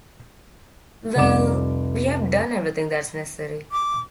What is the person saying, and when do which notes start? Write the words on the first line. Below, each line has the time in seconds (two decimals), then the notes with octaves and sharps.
Well, we’ve done everything that’s necessary.
1.16 F1 C2 D5 D6 E7
3.72 D6